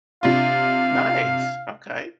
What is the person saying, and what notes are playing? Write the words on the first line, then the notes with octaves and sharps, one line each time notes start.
Nice, okay.
C3 D4 F4 F5